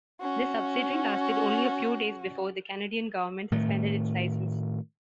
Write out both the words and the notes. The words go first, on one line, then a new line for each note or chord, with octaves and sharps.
This subsidiary lasted only a few days before the Canadian government suspended its licence.
C#4 F#4
A2 D#3 A3